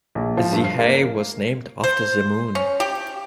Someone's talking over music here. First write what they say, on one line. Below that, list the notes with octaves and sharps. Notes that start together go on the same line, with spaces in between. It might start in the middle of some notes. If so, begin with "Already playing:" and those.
The Hay was named after The Moon.
A#1
F3
G2
C7
A#3
C5
C#4
G4